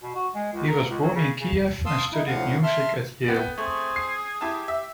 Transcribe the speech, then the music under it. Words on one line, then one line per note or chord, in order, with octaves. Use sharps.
He was born in Kiev, and studied music at Yale.
B2
F#4
G#3
C#2
A#4
C#2
F#3
C#3
C#3
F5 A5 C6 D#6 E6
D#4 E4
D2 A2 D3 F3 F5 F#5
E5 A5 C6 F6
B3 G5
A3 C4 G#4
C7
E4 G4 A5
E5